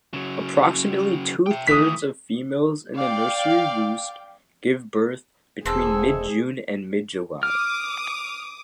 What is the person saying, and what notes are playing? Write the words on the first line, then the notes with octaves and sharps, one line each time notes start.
Approximately two-thirds of females in a nursery roost give birth between mid-June and mid-July.
C#3 F#3
E5 G5
D2 E3 D#6 B6
D5 F5 G5
E1 C4 G#4 A4
D6 D#6 F6